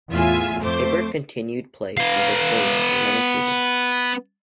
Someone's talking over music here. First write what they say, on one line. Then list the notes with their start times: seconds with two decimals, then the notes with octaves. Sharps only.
Hibbert continued play for Victoria for many seasons.
0.10 E2 A2 F4 E5 G#5
0.61 F2 A3 C5 D6
1.97 B3 F5